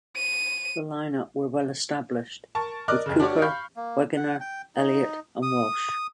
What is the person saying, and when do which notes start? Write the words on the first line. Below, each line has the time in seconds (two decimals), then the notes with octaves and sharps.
The line-up were "well-established" with Kuepper, Wegener, Elliot, and Walsh.
0.16 D#7
2.55 A#4 A5 C#6
2.88 A#4 D5 D#5 D6 F6 F#6
3.06 F2 C#3
3.20 D4 F#4 G4 C#5 D5
3.42 F5 B5 C#6 F6 G6
3.77 A#3
4.16 F#5
4.40 G5
4.75 D#4
5.42 D#6